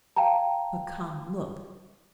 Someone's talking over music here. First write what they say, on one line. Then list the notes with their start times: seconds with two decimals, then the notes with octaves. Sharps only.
But, come--look!
0.16 F5 G5 A5 A#5